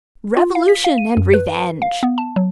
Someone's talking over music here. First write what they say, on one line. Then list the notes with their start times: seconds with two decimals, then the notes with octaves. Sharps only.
Revolution and Revenge!
0.37 F4
0.55 F5
0.68 B6
0.84 F5
0.98 D#7
1.17 F#2
1.33 B4
1.82 F5
2.03 B3
2.18 A5
2.36 F#3